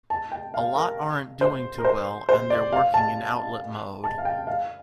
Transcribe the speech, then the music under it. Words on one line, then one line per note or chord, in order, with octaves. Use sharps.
A lot aren't doing too well and they're working in outlet mode.
A5
G5
F5
A#4
C5
A#4
C5
C5
D5
F5
A5
A5
F5
G5
F5